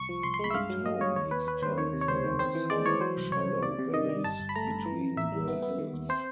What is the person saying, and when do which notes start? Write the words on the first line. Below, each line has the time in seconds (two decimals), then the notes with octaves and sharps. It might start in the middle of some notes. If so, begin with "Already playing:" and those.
The town extends along some shallow valleys between the hills.
Already playing: C2 C#6
0.09 F3
0.23 C2 C6
0.34 C6
0.39 G#3 B5
0.50 E5
0.54 G2 F5
0.70 F#3
0.86 F#3 D#5
1.00 G2 C#5
1.16 D#2 C#5
1.31 D#2 B4
1.47 D#2 B4
1.62 D#2 C5
1.78 D#3 C#5
1.93 C3
2.01 C#5
2.08 C#2 C5
2.24 D#3
2.39 C4 C5
2.55 E3
2.70 G#3 D5
2.86 E3 C#5
3.01 F#3 C5
3.17 C2
3.31 C2 C#5
3.47 C2
3.63 C3 D5
3.79 C3
3.93 D#3 D#5
4.09 G3
4.24 G1 A5
4.40 G1
4.49 B5
4.55 A3 A#5
4.71 G2
4.86 E3
5.01 E3
5.16 A1 E5
5.32 G3
5.48 B3
5.62 B3
5.78 D#3
5.93 D#2
6.09 C4 C5